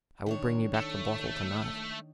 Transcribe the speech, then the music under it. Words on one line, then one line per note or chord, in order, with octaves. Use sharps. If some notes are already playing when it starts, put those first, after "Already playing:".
"I will bring you back the bottle to-night."
D#3 D4 C#5
A3